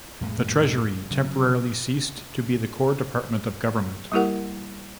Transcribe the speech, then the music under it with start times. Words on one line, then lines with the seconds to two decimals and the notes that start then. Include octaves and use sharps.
The Treasury temporarily ceased to be the core department of government.
0.21 F2 A2 G#3
1.11 C#3 F#3
4.12 G3 A#3 E4 G4 A#4 F#5